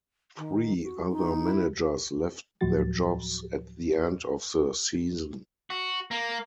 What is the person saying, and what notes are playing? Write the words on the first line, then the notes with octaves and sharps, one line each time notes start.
Three other managers left their jobs at the end of the season.
D#3
F#4
D#4
E4
D2 A2 F3 F#3 F#4 A6
F#4
A#3